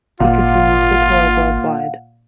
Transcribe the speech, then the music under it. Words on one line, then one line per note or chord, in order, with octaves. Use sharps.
He continues to tour worldwide.
G#1 A#2 F4 F5 F#5